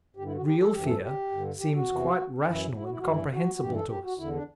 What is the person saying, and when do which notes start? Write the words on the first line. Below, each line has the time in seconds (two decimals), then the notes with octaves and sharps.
Real fear seems quite rational and comprehensible to us.
0.16 G2 G4
0.20 D3
0.26 E4
0.35 F#4
0.45 G4
0.59 A4
0.73 F#2 E3 G4
0.85 A4
1.03 G4
1.31 G2 D3
1.59 G4
1.74 F#4
1.89 E2 C3 E3
2.39 D4
2.45 F#2 E3 E4
2.75 E4
2.82 F#4
2.91 E4
2.99 F#4
3.03 G2 E3 E4
3.33 F#4
3.55 F#4
3.60 G2 E3 G4
3.75 A4
3.89 G4
4.03 F#4
4.18 E2 D3 E4
4.33 D4